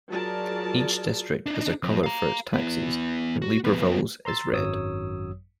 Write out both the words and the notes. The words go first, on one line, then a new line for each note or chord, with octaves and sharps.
Each district has a colour for its taxis and Libreville's is red.
F#3 F4 G#4 A#4 D5 A5
D4 D#4
F2
F5 A#5
B3 E4
F#4
F2 B3
A#5 C6 E6 A6
G#1 F#2 F#3 C#5 D#6 E6